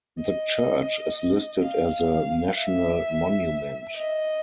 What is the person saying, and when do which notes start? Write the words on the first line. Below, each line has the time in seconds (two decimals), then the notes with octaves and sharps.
The church is listed as a National Monument.
0.20 D#5
1.62 F5
2.55 E5
3.96 D#5